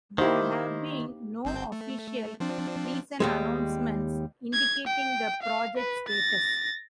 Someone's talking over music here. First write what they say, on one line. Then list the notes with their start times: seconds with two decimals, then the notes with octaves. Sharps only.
There have been no official recent announcements indicating the project status.
0.18 D#3 A#3 D#4 E4 G4 C5
1.45 G1 C4 G6
1.72 A3
2.40 F3 C4 D4
3.20 D#2 G3 G#3
4.53 G#6
4.87 G5
5.43 F5
5.77 B4
6.09 A6 A#6